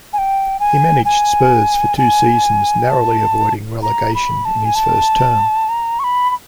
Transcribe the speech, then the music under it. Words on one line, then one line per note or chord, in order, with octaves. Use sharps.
He managed Spurs for two seasons, narrowly avoiding relegation in his first term.
G#5
G5
G#5
G#5
G#5
A5
A#5
B5
A5
G#5
A5
A#5
C#6
B5
B5